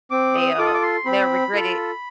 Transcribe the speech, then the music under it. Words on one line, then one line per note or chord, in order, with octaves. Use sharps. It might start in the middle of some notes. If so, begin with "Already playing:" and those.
they'll they'll regret it
C4 D6
D#6
F4 A4 D6
D#6
D6
C6
C4 B5
F4 A4